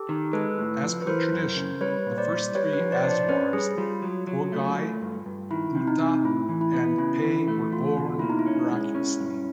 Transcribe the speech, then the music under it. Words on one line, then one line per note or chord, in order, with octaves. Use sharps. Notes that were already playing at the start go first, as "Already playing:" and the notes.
As per tradition, the first three "azhwars", Poigai, Bhutha and Pey were born miraculously.
Already playing: G4 A4
D#3
G#3 A4 B4
A2
F3
B4
E3 A#4 C5
F#2
C#3
G3 B4 C#5
A#2
C5 D5
G3
G4 B4 C#5
B4 C#5
F3
C5 D5
D4
C5 D5
C#4 B4 C#5
G3 G#4
G3 F4
F#3
F#3
A3
A3
G2
G2
D#3 E4
C3
D#4
C3
A2 E4
E3
E4
B3
C#3 E4
E3
A3
E2 F4
B2
F4
A#3 E4
D#4
E4
C#4
G#3
C#4
G2